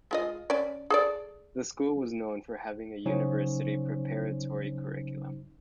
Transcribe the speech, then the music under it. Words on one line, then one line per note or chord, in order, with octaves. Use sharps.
The school was known for having a university preparatory curriculum.
G#3 F4 D#5
C#4 D5
G#4 A4 D5
C#3 F#3 C#4 D#4 C5